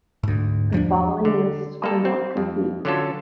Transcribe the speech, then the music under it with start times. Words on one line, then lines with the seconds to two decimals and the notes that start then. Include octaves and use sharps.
The following lists are not complete.
0.23 D2 G#2
0.73 E2 F3 C#4 D4
1.25 D3
1.83 A#3 A4
2.05 C4
2.37 F2
2.85 D3 F#3 C#4 F4 A4